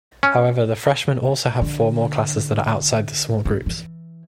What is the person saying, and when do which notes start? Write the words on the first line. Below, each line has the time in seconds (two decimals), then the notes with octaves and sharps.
However, the freshmen also have four more classes that are outside the small groups.
0.23 C#4
1.62 D3
3.45 C#3
3.66 E3